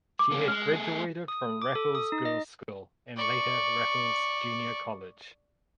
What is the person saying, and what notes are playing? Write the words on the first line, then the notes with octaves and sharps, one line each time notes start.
She had graduated from Raffles Girls’ School and later Raffles Junior College.
D6
A#3 C#4
G#3 F6
A3 G#4
D#6
D6
A4
D#6
D#4
D#5
D5 C#6